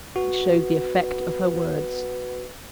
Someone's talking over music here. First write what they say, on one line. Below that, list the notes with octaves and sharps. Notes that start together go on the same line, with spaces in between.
It showed the effect of her words.
B3 F#4